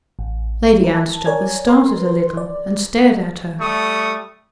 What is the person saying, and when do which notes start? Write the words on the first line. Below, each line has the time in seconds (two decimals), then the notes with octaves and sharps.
Lady Anstruthers started a little, and stared at her.
0.19 A1
0.80 E4 A#4
0.94 A5
1.26 A#4 C#5 D5 G#5 G#6
1.67 A#4 B4 C6
2.37 D5
3.60 G3 A3 C#6 D#6